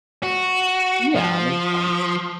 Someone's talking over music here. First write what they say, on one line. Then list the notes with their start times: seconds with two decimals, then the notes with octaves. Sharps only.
Yeah, makes sense.
0.23 F#4
1.16 F3